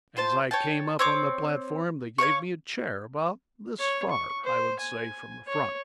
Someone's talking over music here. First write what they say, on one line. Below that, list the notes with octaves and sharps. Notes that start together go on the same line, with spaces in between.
As I came up on the platform they gave me a chair about this far, I would say, from the front.
F4 C5 A5
C#5 G5 A5
C4 C#5 D6
C#5 D5 F5 C#6
C#5
C#6
C5
G#5
C#5